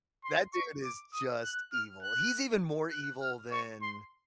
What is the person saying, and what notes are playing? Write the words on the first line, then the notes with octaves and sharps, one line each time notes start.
That dude is just evil. He's even more evil than
C6
C#6
D6
D#6
F#6
F6
F#6
F#6
F6
C#6
C6